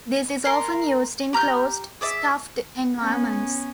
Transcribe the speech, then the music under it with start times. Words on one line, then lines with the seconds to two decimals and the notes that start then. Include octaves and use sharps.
This is often used in closed, "stuffed" environments.
0.45 A#4 C6
1.33 G4 A#5 F6 G6
2.01 G#4 D5 E5
2.98 B3 C#4